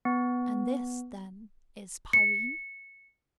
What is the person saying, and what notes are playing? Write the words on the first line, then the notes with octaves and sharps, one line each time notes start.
And this, then, is Pirene?
B3
C#7